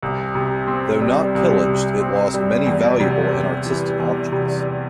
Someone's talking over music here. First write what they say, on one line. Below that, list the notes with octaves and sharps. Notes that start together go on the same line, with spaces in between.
Though not pillaged, it lost many valuable and artistic objects.
C2
C3
C4
G3
C2
C3
C4
G3
E2
C3
E2
E3
E2
C3